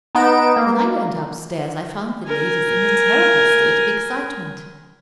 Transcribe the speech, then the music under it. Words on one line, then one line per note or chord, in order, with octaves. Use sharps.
When I went up-stairs, I found the ladies in a terrible state of excitement.
B3 D#4 D7 E7
A#3
A#4 G#5